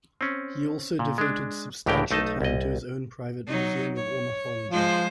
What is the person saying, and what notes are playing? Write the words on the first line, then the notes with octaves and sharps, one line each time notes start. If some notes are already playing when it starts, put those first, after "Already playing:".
He also devoted substantial time to his own private museum of ornithology.
C4 C#4
A#2
G#3 D4
C#2 A2 E3 G4 A#4 G5
B1 A3 D#4 D#5 A5
C2 D#5
F#3 D#4
C#5
F3 G#3 C5